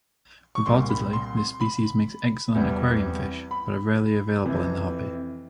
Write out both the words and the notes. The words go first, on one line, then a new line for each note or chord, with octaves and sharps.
Reportedly this species makes excellent aquarium fish but are rarely available in the hobby.
C#6
C2 A#2 G3 C6
B5
C6
C6
B5
E2 C3 E3 G3
B5
F2 C3 E3